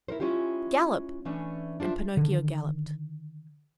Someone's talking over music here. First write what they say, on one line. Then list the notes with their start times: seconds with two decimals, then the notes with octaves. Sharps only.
"Gallop!" and Pinocchio galloped.
0.08 E4 A#4 C5
0.20 G#3 C#4 E4 F4 G4
1.25 E3 A3 C#4 D4
1.80 D4 F4 G#4 C5 E5
2.17 D3 D#3